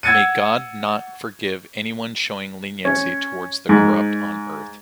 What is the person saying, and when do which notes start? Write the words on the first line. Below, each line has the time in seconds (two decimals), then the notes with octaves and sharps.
May God not forgive anyone showing leniency toward the corrupt on Earth.
0.03 F#5 E6 G#6 A6 C#7 D#7
2.85 C#4
3.69 G#2